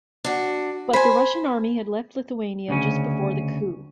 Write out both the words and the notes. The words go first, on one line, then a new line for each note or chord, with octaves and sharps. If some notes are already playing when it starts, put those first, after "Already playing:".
But the Russian army had left Lithuania just before the coup.
D4 F#4
C5 G#5 B5
D2 C#3 C#4